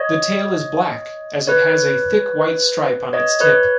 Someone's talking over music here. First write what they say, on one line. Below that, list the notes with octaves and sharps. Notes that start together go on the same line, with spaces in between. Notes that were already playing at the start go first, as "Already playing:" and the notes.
The tail is black as it has a thick white stripe on its tip.
Already playing: C#5 D#5
B4 C#5
C#5 D#5
B4 C#5